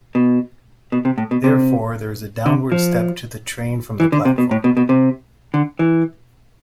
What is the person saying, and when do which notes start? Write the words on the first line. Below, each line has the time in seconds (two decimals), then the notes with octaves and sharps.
Therefore, there is a downward step to the train from the platform.
0.15 B2
0.92 B2
1.05 C3
1.18 A2
1.31 B2
1.44 C3
2.46 D3
2.72 F3
4.00 E3
4.12 D3
4.25 C3
4.38 B2
4.51 A2
4.64 B2
4.77 B2
4.89 C3
5.54 D3
5.79 E3